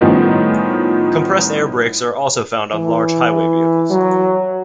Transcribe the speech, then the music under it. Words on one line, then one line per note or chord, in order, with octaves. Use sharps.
Compressed air brakes are also found on large highway vehicles.
A2 D#3 F3 G3 B3 C#4
E3
F#3